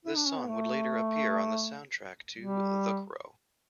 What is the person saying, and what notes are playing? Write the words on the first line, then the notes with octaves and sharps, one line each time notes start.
The song would later appear on the soundtrack to "The Crow".
E4
D4
C#4
B3
A3
G3